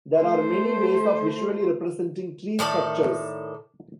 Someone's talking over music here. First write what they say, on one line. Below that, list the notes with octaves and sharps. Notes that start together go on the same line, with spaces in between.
There are many ways of visually representing tree structures.
A3 C5
A2 D#3 A4 D5